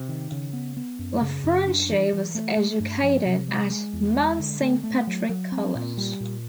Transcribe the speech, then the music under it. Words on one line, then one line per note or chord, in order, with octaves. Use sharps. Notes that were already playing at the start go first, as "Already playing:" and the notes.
Laffranchi was educated at Mount Saint Patrick College.
Already playing: C3
D#3
C#3
B3
B3
F#2
C#3
F#2
D4
E3
E3
A3
A3
G2
F3
C3
G#3
G#3
E2
G#3
D3
A3
A3
F#3
F#3
C4
A#2
G3
A#2